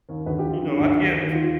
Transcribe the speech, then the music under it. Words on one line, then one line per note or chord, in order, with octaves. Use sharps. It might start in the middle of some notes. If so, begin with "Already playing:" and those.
you know, I'd get
D#2
D2 B4
G4
F3
F4
D3 D#4
D2
D#2
D#2
D#3 F4